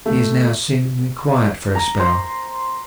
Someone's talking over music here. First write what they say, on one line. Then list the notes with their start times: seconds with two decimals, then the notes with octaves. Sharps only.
He is now seemingly quiet for a spell....
0.06 A3
1.75 A#5
1.99 C5